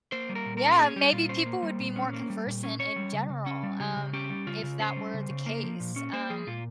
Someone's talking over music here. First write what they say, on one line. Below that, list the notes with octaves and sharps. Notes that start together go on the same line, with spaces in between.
Yeah, maybe people would be more conversant in general, um, if that were the case, um,
A#3 C5
G3
A#4
A#2
A#4
C#4
A#3 G#4
G3 G4
A#2 F4
C#4 C5
A#3
G3
A#2
C#4
A#3
G3
A#2
C#4
C#4 C#5
G3
C#3
C#3
C#4
G3
C#3 G4
C#3
C#4 G4
G3
C#3 F4
C#3
C#4 C5
G3
C#3
C#3
A#3
F3
A#2
C#4
A#3 C5
F3 G#4
A#2 F4